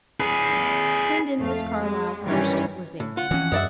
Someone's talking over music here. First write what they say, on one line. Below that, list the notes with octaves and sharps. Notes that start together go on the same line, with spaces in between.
"Send in Miss Carlyle first," was the answer.
G#4 B4
F2 A3 F5
G#3
G2 D#3 E3 G3 C#4
A2
F4 F#5
F2 E3 C#4
F#2 G#3 D5 E5